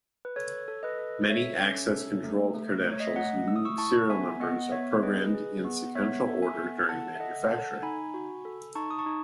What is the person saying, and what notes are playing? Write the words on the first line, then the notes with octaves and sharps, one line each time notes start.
Many access control credentials unique serial numbers are programmed in sequential order during manufacturing.
B4
A4 C#5
A4
B4 D#5
A4
A4 C#5 E5
C#4
A4
A3
A3
A3
C#5
D#5
E5
A3 D#5 F#5
A3 E6
D#6
C#6 E6
E4 A5 C#6
B3 E5 G#5
B3 D#5 F#5
B3 C#5 E5
G#4 B4 D#5
G#4
B3
B3 C#5 E5
A4
E5 G#5
B3
A4 F#5 A5
E5
A4 D#5 F#5
A4 F#5 A5
D#4 G#5 B5
F#4
A4
D#4 A5 C#6
D#6
A5 C#6
D#4